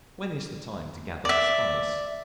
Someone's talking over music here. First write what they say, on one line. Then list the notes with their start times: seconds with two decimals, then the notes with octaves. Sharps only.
When is the time to gather the spice?
1.25 D5 E5